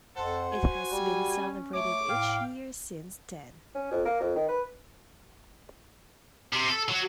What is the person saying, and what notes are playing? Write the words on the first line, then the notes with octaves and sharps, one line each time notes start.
It has been celebrated each year since then.
F2 A4 C5 F#5
F#4 G#5
G3
C#4
A3 C#5 D6
A2 F5 G5
C#4
F2
A#3
F2
D#3
B4
C3
A4
F#3